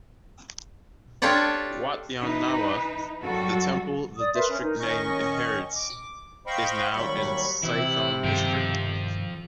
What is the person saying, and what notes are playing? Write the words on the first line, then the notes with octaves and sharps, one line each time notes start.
Wat Yan Nawa, the temple the district name inherits, is now in Sathon District.
D4 F4 G4 A4 C#5 D5
E3 D#4 B4
F#2 G3 F#4 A4
D5 D#6
A#4 B4 E5 C6
C#4
D#4 A#4
D#3 C#4 D#5 C#6
D6
C5 D#5 F5 G5 B5 C#6
D#2 F#3 G3 B5 C#6
C3 E3 E4
G2 B2 D#3 F3 G5